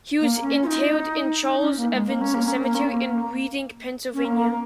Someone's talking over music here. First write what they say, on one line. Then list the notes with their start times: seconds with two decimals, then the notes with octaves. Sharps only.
He was interred in Charles Evans Cemetery in Reading, Pennsylvania.
0.21 A#3
0.42 C#4
0.63 F4
0.67 D#4
1.45 D#4
1.61 C#4
1.77 A#3
1.92 G#3
2.07 A#3
2.21 C#4
2.34 A#3
2.48 C#4
2.62 A#3
2.75 C#4
2.89 A#3
4.14 C#4
4.25 A#3